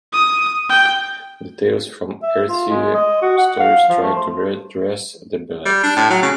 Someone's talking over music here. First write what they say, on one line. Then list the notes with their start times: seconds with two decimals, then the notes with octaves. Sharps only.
The "Tales from Earthsea" stories try to redress the balance.
0.13 D#6
0.69 G5
2.23 E5
2.49 F4
2.70 G#3
2.94 D#5
3.22 F#4
3.38 F#5
3.60 F5
3.89 F3
4.03 A3
4.16 C5
5.65 G3
5.83 D4
5.96 A2
6.10 F#3
6.22 C#3